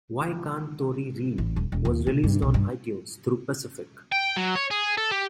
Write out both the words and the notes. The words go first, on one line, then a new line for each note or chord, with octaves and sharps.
"Y Kant Tori Read" was released on iTunes through Pacific.
A1
D#1
E1
D#2
C3
G2
B1
G2
G5
F#3
C#5
G#4
A4
G4